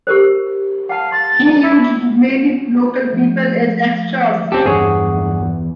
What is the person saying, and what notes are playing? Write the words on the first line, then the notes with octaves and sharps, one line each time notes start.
He used many local people as extras.
G4 A#4 C5
F5 F#5 A5
C6 A6
E4
F3 A3
C4 C#4 D#4 G4 A4
E2 G2 G#4 C#5 F#5